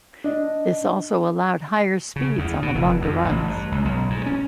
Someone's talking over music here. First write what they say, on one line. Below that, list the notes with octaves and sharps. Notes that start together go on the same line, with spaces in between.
This also allowed higher speeds on the longer runs.
D4 D#5
C#3
E2
B2
F1
F2
A1
G2
C#2
B1
G#2
C#4